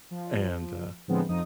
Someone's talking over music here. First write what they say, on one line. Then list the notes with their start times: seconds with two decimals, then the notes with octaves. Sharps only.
and, uh
0.11 F3
1.08 A2 D3 F3 G#3 B3 C4
1.28 F2 F3 D#4 D#6